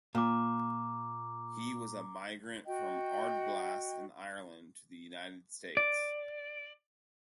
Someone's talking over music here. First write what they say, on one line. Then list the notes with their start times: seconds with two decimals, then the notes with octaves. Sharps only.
He was a migrant from Ardglass in Ireland to the United States.
0.15 A#2 A#5 D6
2.66 F#4 D#5 G5
5.77 D5